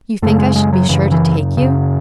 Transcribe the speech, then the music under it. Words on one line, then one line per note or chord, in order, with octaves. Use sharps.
"You think I should be sure to take you."
F#2 C#3 A3
G#3
G#3
F#3
F#2 C#3 E3
E3
F#2 C#3